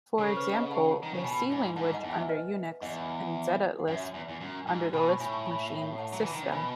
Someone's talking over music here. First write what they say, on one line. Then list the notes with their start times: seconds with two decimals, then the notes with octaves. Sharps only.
For example, the C language under Unix, and Zetalisp under the Lisp Machine system.
0.18 C#3 A4
0.37 B4
0.54 D#5 F#5
0.71 F#5 A5
1.03 D#3
1.14 C#3
1.24 B2 G#5 B5
1.50 G#2
1.76 G#2 F#5 A5
1.94 D#5 F#5
2.03 E2
2.11 E5 G#5
2.29 B4 D#5
2.82 E2 D#5 F#5
3.80 F#5
3.88 F#2 E5 G#5
4.14 E2
4.28 E2
4.41 F#2
4.67 G#2
4.93 B2 G#5 B5
5.06 A5 C#6
5.20 A2 G#5 B5
5.32 A5 C#6
5.46 G#5 B5
5.98 F#5 A5
6.12 F#3
6.22 E3
6.32 D#3
6.42 C#3
6.52 B2 G#5 B5